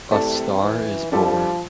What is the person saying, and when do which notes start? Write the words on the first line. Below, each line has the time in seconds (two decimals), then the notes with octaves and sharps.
A star is born.
0.10 C3 A3 E4 A4 D5
0.62 E3
1.12 F3 G3 D4 A4 C5